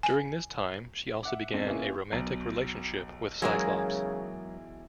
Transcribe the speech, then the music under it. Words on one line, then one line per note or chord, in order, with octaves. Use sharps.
During this time, she also began a romantic relationship with Cyclops.
G#5
E5 F#5 D6
F2 B2 G#3 C4 D4
A#3 B3 C#4 E4 F4 G#4
B1
C#3 E3 F#3 G#3 G#4 A#4